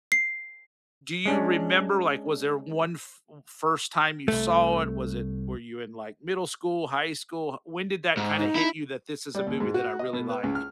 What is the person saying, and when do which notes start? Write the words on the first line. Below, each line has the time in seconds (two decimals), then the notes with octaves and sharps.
do you remember, like, was there one f first time you saw it? Was it were you in like middle school, high school? H when did that kinda hit you that this is a movie that I really like?
0.12 C7
1.26 G#3 C#4 D4
4.28 C2 A3
8.17 G#2
8.38 D#4
8.55 E4
9.35 G3
9.47 D#2
9.60 G#2
9.74 F#4
9.99 D#5
10.13 B2
10.29 B4
10.43 C#2
10.55 F6